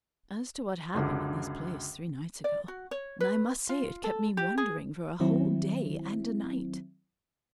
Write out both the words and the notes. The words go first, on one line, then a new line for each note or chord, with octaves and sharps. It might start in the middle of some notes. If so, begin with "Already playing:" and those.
As to what happened in this place three nights ago, I must say it kept me wondering for a whole day and a night.
C#2 F#2 D3
D5
F#4
C#5
B4
F4
A4
G4
G#4
D#3 F#3 C4 E4